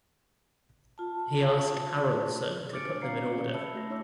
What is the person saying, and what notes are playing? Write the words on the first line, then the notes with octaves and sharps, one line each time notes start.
He asked Aronson to put them in order.
F4 A5
D4 D6 F6 A6 C#7 D7
C4 C#5 F5 A#5 C7 C#7
C#4
E5 A5 B5 E6 C#7
A3 F#4 A#6
D4 E4 C#5 E5 D6 E6